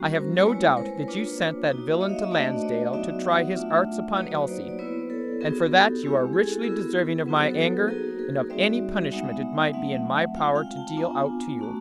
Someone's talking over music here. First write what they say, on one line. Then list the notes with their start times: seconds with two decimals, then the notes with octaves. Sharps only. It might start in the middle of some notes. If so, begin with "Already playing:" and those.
I have no doubt that you sent that villain to Lansdale to try his arts upon Elsie; and for that you are richly deserving of my anger, and of any punishment it might be in my power to deal out to you.
Already playing: G3 A#3 C#4 F#4
0.15 A#4 C5
0.46 G#3 C4 E4 B4 C#5
0.77 A#4 C5
1.08 A#3 D4 F4 B4 C#5
1.70 A#3 D#4 F#4
1.94 E5
2.01 C#5 D#5
2.09 F5
2.16 E5
2.24 D#5
2.31 A3 D4 F#4 C5 D5
2.62 C#5 D#5
2.93 F#3 B3 D#4 F#4 D5 E5
3.24 E5 F#5
3.55 A3 D4 F4 E5 F#5
4.17 F#3 A#3 D#4 F#4 B4 C#5
4.48 C5 D5
4.69 D5
4.79 B3 E4 B4 C#5
5.10 A4 B4
5.41 B3 D#4 F#4 G#4 A#4
5.72 G4 A4
6.03 G#3 C4 E4 G4
6.33 G#4
6.43 A4
6.51 F#4 G#4
6.64 B3 E4 G#4 A#4
7.26 F#3 B3 D#4 F#4 B4
7.38 C5
7.50 A4 B4
7.88 A#3 D#4 F#4 G#4 A#4
8.19 G#4 A#4
8.50 G3 C4 D#4 F#4 D5 E5
9.11 G#3 B3 D#4 E5 F#5
9.73 F#3 A3 C4 E5 F#5
10.36 G#3 C4 F4 F5 G5
10.55 F5 G5
10.77 G5 A5
10.97 B3 D4 F4 G#5 A#5
11.59 A3 C#4 F#4